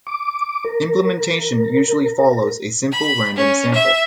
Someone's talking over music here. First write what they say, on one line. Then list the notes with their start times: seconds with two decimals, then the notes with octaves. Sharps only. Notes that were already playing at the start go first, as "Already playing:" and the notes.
Implementation usually follows a simple random sample.
0.07 D6
0.64 A#4
2.92 B5
3.36 C#4
3.73 E5